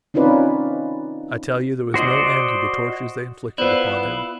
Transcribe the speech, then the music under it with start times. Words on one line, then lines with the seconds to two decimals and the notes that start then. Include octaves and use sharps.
I tell you there was no end to the tortures they inflicted upon him.
0.14 C4 C#4 D#4 F4 B4 D5
1.94 F#4 C5 D5 D#5
3.58 B3 E4 F4 A#4 C5 D5